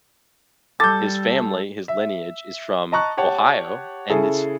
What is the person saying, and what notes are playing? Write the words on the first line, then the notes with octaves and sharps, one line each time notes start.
his family, his lineage is from Ohio, and it's
G3 A4 D6 G6 A6
E5
D#5 A5 A#5 C#6 F#6
G4 C#5 F#5 A5
C#3 E4 G#4 A4